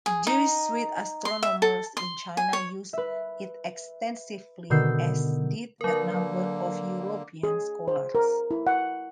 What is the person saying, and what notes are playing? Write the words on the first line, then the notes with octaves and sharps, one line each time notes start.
Jesuit astronomers in China used it extensively, as did a number of European scholars.
G#4
D#4
C6
E5
A4
C6
G#5
C#5
B4 E5
B2 D3 D#3 E6 G6 C7
D3 F#3 A#3 A#4
G#4
C5
A#4
E4
F#5